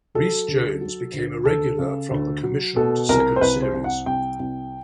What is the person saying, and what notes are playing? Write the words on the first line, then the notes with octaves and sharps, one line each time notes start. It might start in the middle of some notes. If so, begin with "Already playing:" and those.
Rhys Jones became a regular from the commissioned second series.
F#3 A4
D2
F#3
D2
D2 A4
C#3
D2
F#3
B2 A4
C2 A#4
C5
C2 B4
C5
C2
F#5
C2 G5
C2